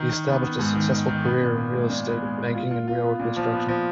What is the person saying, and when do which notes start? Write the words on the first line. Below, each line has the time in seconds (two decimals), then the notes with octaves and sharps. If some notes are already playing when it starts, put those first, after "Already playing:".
He established a successful career in real estate, banking and railroad construction.
Already playing: D#3
0.10 D#3
0.27 B3
0.43 B3
0.59 G#2
0.75 D#3
0.92 D#3
1.09 D#3
1.24 B3
1.41 A#2
1.57 A#2
1.73 G#3
1.90 A#2
2.06 B3
2.22 G#3
2.38 G#3
2.54 F4
2.71 F4
2.88 F4
3.04 B3
3.20 A#2
3.36 F3
3.52 B3
3.68 F3